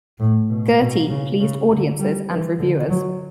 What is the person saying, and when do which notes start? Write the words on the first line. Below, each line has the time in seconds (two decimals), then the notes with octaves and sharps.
"Gertie" pleased audiences and reviewers.
0.20 A2
0.50 B2
0.80 B2
1.09 C#3
1.40 C#3
1.70 D3
2.00 G3
2.30 E3
2.59 D3
2.90 F#3